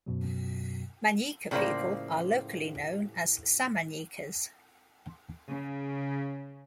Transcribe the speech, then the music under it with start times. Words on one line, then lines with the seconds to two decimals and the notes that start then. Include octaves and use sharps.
Manyika people are locally known as Samanyikas.
0.06 F#2 B2 F#3
1.51 A2 C#3 F3 A#3 C5 D5
5.51 C#3